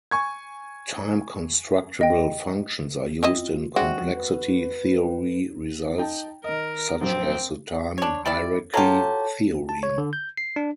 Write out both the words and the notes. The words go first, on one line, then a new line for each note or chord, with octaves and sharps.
Time-constructible functions are used in complexity theory results such as the time hierarchy theorem.
G#5 C#6 G#6
D#5 G5
C4 E4 F4 D#5
G#3 C4 D4 F#4 E5
F3
B4
D#4 G5 A5
D#3 A#4 D#5
A#1 F#2 C4
D4 C#5
G3 E4 D5
F#3 F4 G4 A4 C#5 A5
A5
C#5
D3
G6
C7
D4